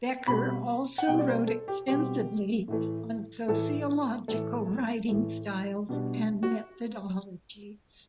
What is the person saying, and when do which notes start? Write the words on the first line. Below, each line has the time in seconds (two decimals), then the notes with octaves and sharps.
Becker also wrote extensively on sociological writing styles and methodologies.
0.27 B2 G3 C4 B5
0.98 F#5
1.08 B2 G3 C4 G5
1.19 D5
1.28 C5
1.47 A4
1.68 G4
1.88 B2 G3 C4 G4
2.68 A2 E3 A3
3.48 A2 E3 A3 A4
4.28 A2 E3 A3 A4
5.08 A2 E3 A3
5.89 B2 G3 D4
6.43 F#4